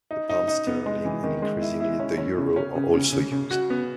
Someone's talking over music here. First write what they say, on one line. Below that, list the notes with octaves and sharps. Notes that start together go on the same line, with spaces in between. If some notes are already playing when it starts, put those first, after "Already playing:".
The pound sterling and increasingly the euro are also used.
D#4
D#4
D#4
B3
G#3
E3
D#3
G#3
E4
E4
C#4
C#4
C#3
C#4
C#3
C#3
C#3
C#3
F#4
B3